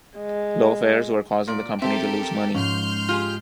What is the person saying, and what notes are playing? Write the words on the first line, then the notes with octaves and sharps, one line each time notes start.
Low fares were causing the company to lose money.
G#3
A#2 D5
C4 G4 A4 A#4 E5 G5
G#2 F3 C#4 C6 F6 G6
F4 G4 G#4